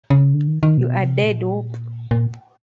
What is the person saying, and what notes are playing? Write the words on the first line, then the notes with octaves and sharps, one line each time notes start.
You a dead wop.
C#3
D3
D#3
D#3
B2
C3
A#2
A#2